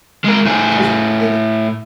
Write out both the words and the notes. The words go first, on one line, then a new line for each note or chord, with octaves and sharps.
'Cause the thing
G#3 A#4
A2 G#4